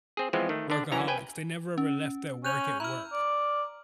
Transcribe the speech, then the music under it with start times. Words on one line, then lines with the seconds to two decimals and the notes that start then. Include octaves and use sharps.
workaholics. They never ever left their work at work.
0.17 C4 G#4
0.33 E3 F3 G#3 B3 C4
0.49 D#3 A3
0.70 D3 D4
0.92 F#2 E3 C#4 E4 A#5
1.08 B4 G5 G#5
1.78 C#4
2.45 C#4 F#6 G6 F7
2.80 E4 A#5 F6
3.12 D5